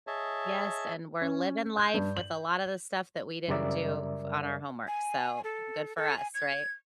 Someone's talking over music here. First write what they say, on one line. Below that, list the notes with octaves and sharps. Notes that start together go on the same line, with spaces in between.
yes, and we're living life with a lotta the stuff that we didn't do fo on our homework, so good for us, right?
G#4 C#5 D#5 E5 A5
C#4
G6
G2
F#7
F#2 C#3 G3 A#4 D5 E5
G#5
A4
A4
G#5
G#6